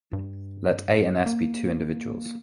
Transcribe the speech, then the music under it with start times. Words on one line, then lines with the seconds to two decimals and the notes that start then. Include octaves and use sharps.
Let "a" and "s" be two individuals.
0.13 G2
1.26 A#3